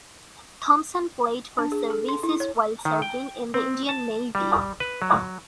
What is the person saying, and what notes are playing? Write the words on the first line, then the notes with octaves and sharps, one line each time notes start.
Thomson played for Services while serving in the Indian Navy.
D4
G#4
A4
C6
E4
C#5
D#3
G5
C4
A5
G3
B4
F#3